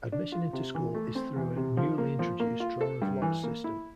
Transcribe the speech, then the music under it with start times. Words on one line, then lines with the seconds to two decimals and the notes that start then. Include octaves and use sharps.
Admission into school is through a newly introduced draw of lots system.
0.12 D4
0.32 F4
0.53 C3
0.75 E3
0.94 A3
1.15 C4
1.36 E2
1.56 C3
1.77 F3
1.98 A#3
2.19 F3
2.40 A#3
2.60 F4
2.81 A4
3.02 G2
3.22 E3
3.43 A#3
3.64 E4